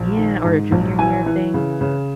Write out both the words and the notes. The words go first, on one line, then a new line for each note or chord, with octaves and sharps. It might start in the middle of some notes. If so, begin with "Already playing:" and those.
yeah, or a junior year thing.
Already playing: A#1
D#3
G#2
A#1
E3 G#5
E3
C#3
C#3